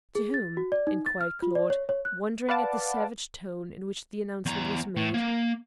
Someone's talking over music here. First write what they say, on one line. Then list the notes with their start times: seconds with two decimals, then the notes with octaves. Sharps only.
"To whom?" inquired Claude, wondering at the savage tone in which the announcement was made.
0.15 G#4
0.34 A6
0.57 F#4
0.72 D5
0.87 D#4
1.06 A6
1.21 F6
1.42 F4
1.55 D5
1.70 C#5
1.89 C#5
2.05 F#6
2.49 B4 D5 F5 F#5 A5 D6
4.46 E2 A#5
4.97 A2
5.14 A#3